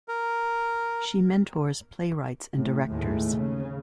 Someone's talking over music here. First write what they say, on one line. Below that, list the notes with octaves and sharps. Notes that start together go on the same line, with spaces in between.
She mentors playwrights and directors.
A#4
A2
D#2 A2 G#3 A3
C#3